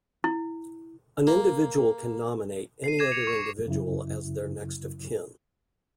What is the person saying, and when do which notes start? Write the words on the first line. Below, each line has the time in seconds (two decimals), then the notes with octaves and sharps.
An individual can nominate any other individual as their next-of-kin.
0.24 E4
1.27 A#3
2.84 C7 D#7
2.99 D6 G#6 A#6 E7
3.12 C#7 F7
3.27 C#6
3.66 F#2 C#3 F#3 E4